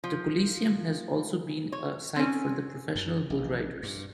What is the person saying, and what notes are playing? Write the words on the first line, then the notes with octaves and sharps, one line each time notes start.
The Coliseum has also been a site for the Professional Bull Riders.
F3
C#5
C4 C#4
F#2
A#1
G2